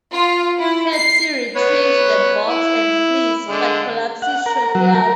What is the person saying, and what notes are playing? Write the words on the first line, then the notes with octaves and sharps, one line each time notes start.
Kirsty retrieves the box and flees, but collapses shortly thereafter.
F4
E4
C7
B3 B4 C#5
E4
D3 G#3
F#5
A#4
F#3
A#4